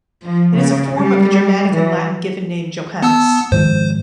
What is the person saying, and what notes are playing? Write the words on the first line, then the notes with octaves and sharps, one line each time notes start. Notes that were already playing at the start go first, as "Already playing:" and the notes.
It is a form of the Germanic and Latin given name Johannes.
F3
C#3
G3
E3
B3 A5 E6
G#2 D#3 F3 C5